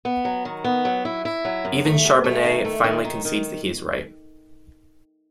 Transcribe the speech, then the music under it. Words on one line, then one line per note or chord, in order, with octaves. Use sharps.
Even Charbonnet finally concedes that he is right.
B3
F#3
D#3
B3
F#3
E4
E4
F#3
F#2
A3
F#2
A3
D#3
A3
D#3
D#3
D#3